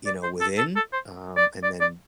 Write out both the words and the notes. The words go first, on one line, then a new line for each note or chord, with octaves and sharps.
you know, within, um, and then
D5
C5
A4
A4
A4
C5
D5
D5
D5